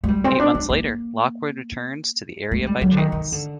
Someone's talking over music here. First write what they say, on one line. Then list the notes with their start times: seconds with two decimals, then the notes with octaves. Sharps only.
Eight months later, Lockwood returns to the area by chance.
0.04 A3
0.08 G3
0.24 C4
0.40 D4
0.55 D#4
0.64 A3
0.70 A#3
2.52 A3
2.67 G3
2.82 F#3
2.91 D3
2.97 D#3
3.12 D#3
3.32 D3